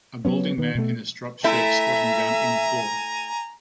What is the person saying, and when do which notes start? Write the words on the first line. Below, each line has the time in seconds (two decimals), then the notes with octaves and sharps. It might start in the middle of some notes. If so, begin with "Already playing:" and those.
A balding man in a striped shirt squatting down in the floor.
0.25 F#3 B3 C#4
0.58 D#3 B3
0.75 B2 A3
1.44 A3 E4 E5 G#5 A#5